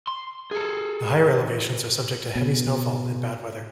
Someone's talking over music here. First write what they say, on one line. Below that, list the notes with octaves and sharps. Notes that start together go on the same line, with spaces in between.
The higher elevations are subject to heavy snowfall and bad weather.
C6
G#4 A4
B2